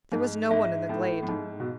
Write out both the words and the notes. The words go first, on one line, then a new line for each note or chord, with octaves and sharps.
There was no one in the glade.
G#2 D#4
G#2 E5
A2 D#4
A2
G#2 D#4
B2